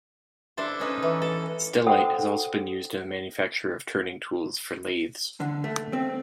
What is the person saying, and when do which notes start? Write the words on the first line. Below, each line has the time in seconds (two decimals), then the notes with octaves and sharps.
Stellite has also been used in the manufacture of turning tools for lathes.
0.57 D4 E4 A4 C5
0.80 C#4 D#4 B4
1.02 E3
1.22 A4
1.87 F#4 A4 C5 F#5 G5 D#6
5.40 D3
5.64 A3
5.93 C4